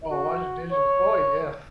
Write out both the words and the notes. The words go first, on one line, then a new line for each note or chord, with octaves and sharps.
Oh, washing dishes. Oh, yeah.
F#4
C#5